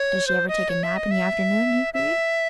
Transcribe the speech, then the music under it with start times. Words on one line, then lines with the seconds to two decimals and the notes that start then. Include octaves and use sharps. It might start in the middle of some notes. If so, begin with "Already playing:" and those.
"Does she ever take a nap in the afternoon?" he queried.
Already playing: C#5
0.27 C5
0.48 D#5
0.69 C#5
0.83 E5
0.97 D#5
1.11 E5
1.94 E5